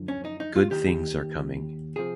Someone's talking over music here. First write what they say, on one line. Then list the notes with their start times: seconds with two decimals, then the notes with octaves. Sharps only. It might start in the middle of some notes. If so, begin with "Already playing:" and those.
Good things are coming.
Already playing: F#2 D3 F3
0.08 C#4
0.25 D#4
0.40 D#4
0.56 F4
0.71 D#2 D#3 G4
1.96 C3 F3 G#4